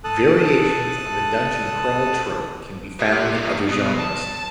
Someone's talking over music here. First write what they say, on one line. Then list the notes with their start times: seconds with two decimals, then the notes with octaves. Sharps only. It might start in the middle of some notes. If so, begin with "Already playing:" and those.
Variations on the dungeon crawl trope can be found in other genres.
0.04 A4 A5 D#6 F#6
3.00 G4 E5
3.32 A3 A#3
3.69 B2
3.99 A5